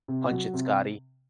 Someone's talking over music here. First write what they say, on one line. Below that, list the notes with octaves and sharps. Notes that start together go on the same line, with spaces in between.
"Punch it, Scotty"
C3
F#3
C3